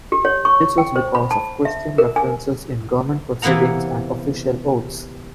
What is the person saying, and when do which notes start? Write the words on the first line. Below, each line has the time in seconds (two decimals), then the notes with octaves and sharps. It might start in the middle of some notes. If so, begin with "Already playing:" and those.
This was because of Christian references in government proceedings and official oaths.
0.12 G4
0.25 C#5
0.45 C#6
0.78 G5
0.96 C5
1.15 B5
1.31 A5
1.65 E5
1.98 A#4
2.16 G#5
3.42 C3 E3 A#3 B3 F#5 A#5